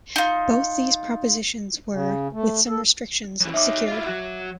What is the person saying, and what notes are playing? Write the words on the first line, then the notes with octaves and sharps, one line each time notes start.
Both these propositions were, with some restrictions, secured.
D#4 F4
C#3
A3
A4
F#2 E3
D#4 C#5 E5 D6
E4 F4
F#3 F#4